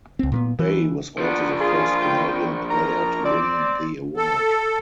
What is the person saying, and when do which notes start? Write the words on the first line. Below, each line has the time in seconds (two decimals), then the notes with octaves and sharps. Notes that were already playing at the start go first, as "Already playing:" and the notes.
Bay was also the first Canadian player to win the award.
0.19 C#2 C4
0.32 A#2 A3 B3
0.59 E3
1.18 F3 B3 D4
1.60 F4 G#4
2.02 G5
2.70 A#4 A#5
3.25 C4 D5
4.17 A4